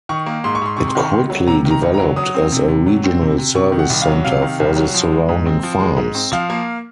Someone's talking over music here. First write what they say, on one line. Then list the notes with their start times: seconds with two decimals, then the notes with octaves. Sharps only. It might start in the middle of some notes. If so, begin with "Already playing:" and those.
It quickly developed as a regional service center for the surrounding farms.
0.09 D#3 C#6
0.26 A#3
0.44 G#2 C6
0.55 C#6
0.62 G#2 C6
0.77 C3 C#6
0.88 C6
0.95 D#3 C#6
1.09 C#2 C6
1.30 F#3
1.47 C3 A#5
1.65 D#3
1.70 A#5
1.83 C#2
1.94 A#5
2.00 F#3
2.16 F#3 D#6
2.34 C4
2.52 C3
2.68 C3
2.86 F#3
3.04 C4
3.21 C3
3.38 C3
3.55 C3 C#6
3.72 D#3
3.79 F#5
3.90 C2
4.02 F5
4.08 F#3
4.25 C3 F5
4.42 D#3
4.60 C2
4.76 F#3
4.94 F3
5.11 G#3
5.29 G#2
5.46 C4
5.63 F3
5.80 G#3
5.97 G#2
6.15 C4
6.32 F3 F5
6.50 A#3